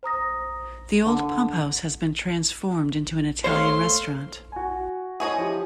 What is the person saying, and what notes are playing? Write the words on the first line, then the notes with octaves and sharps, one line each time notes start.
The old pumphouse has been transformed into an Italian restaurant.
C5 A#5 D#6 A#6
D3
A3 C5 C#5 F5 C6
F#4 G#5
E4 G#4 C5 C#5 D#5 G#5
F3 G4